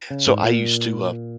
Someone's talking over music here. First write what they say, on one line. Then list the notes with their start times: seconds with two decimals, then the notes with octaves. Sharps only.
So I used to, um
0.11 C#3
0.27 G#2
0.44 A#2